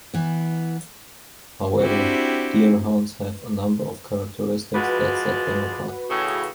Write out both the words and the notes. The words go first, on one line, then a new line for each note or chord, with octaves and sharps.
However, Deerhounds have a number of characteristics that set them apart.
E3 B3
C4 D4 E4 F#4 G4
F3 G#3 F#4 B4 D5
A2 C#3